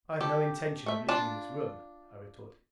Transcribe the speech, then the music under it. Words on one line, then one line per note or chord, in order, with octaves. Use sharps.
"I have no intention of leaving this room," I retorted.
G4 A4
A3 E5
D4 F4 D5 A5